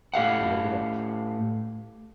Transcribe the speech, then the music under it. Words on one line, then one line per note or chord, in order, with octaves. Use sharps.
Live It Up!
A2 G4 F5 F#5